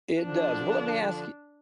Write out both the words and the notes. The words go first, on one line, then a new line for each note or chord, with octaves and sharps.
It does, well, let me ask y
D3 F3 D4